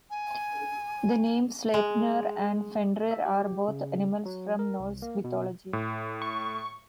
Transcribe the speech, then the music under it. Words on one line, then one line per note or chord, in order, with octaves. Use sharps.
The names Sleipnir and Fenrir are both animals from Norse mythology.
G#5
G#3
E5
G4
C#3
F#3
A#4
C2
A#3
B2
A2
C#6